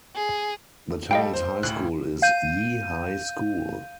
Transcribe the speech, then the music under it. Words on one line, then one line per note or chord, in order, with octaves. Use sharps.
The town's high school is Yea High School.
G#4
G3 A4 D#5 F5 G5
C5
D2 A2 F#6 F#7
F5 G6 D#7